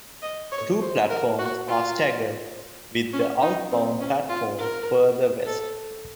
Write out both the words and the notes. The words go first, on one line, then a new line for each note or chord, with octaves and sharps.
The two platforms are staggered, with the outbound platform further west.
D#5
C#5
C5
A#4
F#4
F4
C#4
D#4
C4
C#4
F4
A#4
A4